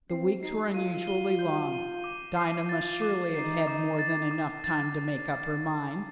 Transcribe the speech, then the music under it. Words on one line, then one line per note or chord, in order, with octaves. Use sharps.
The weeks were unusually long: Dinah must surely have had more than enough time to make up her mind.
C4 C7
D#4 C7
F4 D#7
G7
G6
D#7
D6
C7
F4 A6
D6
D#4 C7
D6
A6
D6
A6